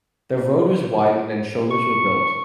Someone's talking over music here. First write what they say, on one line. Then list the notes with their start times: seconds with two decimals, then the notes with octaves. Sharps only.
The road was widened and shoulders were built.
1.70 C#6